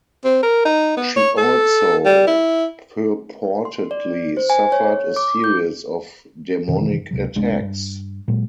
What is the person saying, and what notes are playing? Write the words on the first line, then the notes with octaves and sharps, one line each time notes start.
She also purportedly suffered a series of demonic attacks.
C4
A#4
D#4
B3
C#5
A4
G3
E4
C6
D5
C5
G#5
C#5
D6
G6
F#2 C3 D#3 E3
C#2 C3 F#3
F#1 C2 G#3 D4
G2
A#2 F#3 G#3